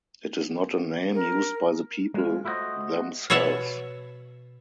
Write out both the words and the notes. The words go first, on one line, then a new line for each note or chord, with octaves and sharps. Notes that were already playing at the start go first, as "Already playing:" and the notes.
It is not a name used by the people themselves.
A#4
G#3 F4
A3 E4 F#4 G4 C5 D#5
B2 C#5 E5 F#5 A5